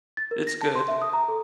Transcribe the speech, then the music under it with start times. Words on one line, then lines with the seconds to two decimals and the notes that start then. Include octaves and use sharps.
It's good.
0.17 A6
0.31 A#4
0.47 A#6
0.61 A5
0.75 C6
0.88 E5
1.02 D#6
1.13 A#5
1.28 A4